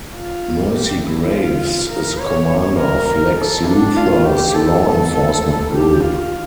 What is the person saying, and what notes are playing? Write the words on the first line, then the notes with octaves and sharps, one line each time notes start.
Mercy Graves is the commander of Lex Luthor's law-enforcement group.
F4
G4
E4
F4
A#4
C#5
A#4
A4
D4
F4
G4
A4
A4
G4
F4